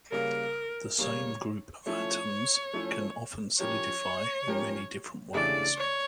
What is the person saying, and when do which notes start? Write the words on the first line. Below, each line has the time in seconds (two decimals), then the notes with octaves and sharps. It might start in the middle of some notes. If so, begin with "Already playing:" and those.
The same group of atoms can often solidify in many different ways.
0.11 C#3 G3 A#3 A#4
0.98 C#3 G3 A#3 C#5
1.86 F3 A3 C#4 E4 C#5
2.73 F3 A3 C#4 E4
3.59 F3 C#4 G4 A#4 C#5
4.47 F3 C#4 G4 A#4
5.33 C#3 E3 A3 D4 G4 D5
5.77 C#5